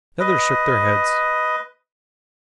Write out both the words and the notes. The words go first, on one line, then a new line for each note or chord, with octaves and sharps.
The others shook their heads.
B4 D#5